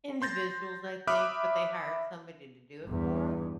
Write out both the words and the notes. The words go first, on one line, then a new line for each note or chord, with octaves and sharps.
Individuals, I think, but they hired somebody to do it for 'em.
C6 G6 A6 A#6
E5 B5 D6 D#6 F6 F#6
E2 G2